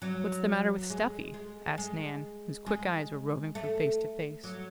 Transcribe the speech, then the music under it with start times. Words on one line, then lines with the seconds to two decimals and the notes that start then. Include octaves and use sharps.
"What's the matter with Stuffy?" asked Nan, whose quick eyes were roving from face to face.
0.02 F#3
0.90 G#3
1.34 G#3
1.78 G#3
2.66 G#3
3.55 A3
4.44 F#3